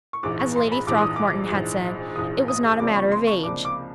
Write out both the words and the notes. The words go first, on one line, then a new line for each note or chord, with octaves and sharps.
As Lady Throckmorton had said, it was not a matter of age.
C#6
A#1 G#2 E3 D6
C#6
C6
B5
A#1 G#2 E3 D6
D#6
D6
A#1 G#2 E3
A#1 G#2 E3 D#6
D#6
C#2 C3 F3 A#3 D4 D6
C#6
C6
C#6
C#2 C3 F3 A#3 D4 D6
D6